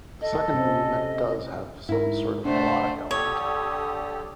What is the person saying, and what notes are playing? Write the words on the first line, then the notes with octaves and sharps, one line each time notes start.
The second movement does have some sort of melodic element.
A4 D#5
C3 C4 C#4
G#2 E4 A#4
C3 A3 D4 C5 F#5
D3 G4 A4 C#5 D#6